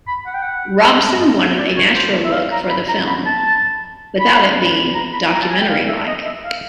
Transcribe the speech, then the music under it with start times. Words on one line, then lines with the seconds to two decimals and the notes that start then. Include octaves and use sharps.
Robson wanted a natural look for the film, without it being documentary-like.
0.08 B5
0.26 F#5
0.34 G5
0.42 F#5
1.20 D#5
1.40 E5
1.58 D5
1.76 C#5
1.95 C5
2.24 E5
2.32 F5
2.51 A#5
2.70 B5
2.88 A#5
3.07 B5
3.26 A5
4.20 B5
4.94 A#5
5.13 B5
5.32 A#5
5.41 A5
5.50 G#5
5.60 G5
5.69 F5
5.88 E5
6.07 D#5
6.25 E5
6.44 F5